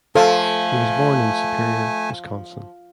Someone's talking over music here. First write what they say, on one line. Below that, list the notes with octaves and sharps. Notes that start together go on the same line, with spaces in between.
He was born in Superior, Wisconsin.
F3 A3 A4 F5 G#5